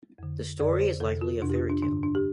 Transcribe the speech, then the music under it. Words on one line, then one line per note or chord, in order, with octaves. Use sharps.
The story is likely a fairy tale.
F2 D3
F2 D5
D3
C5
F2 C3 A4
F4
F2 C3 D4
G4
F4
D4
G2 D3 D4
D4
G4